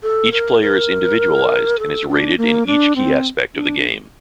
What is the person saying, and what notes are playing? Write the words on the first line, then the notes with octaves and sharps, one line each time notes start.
Each player is individualized, and is rated in each key aspect of the game.
A4
A#4
A#4
A4
D4
A#3
D4
C4
D4